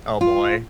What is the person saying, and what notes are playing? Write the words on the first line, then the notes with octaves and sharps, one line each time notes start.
Oh, boy.
F4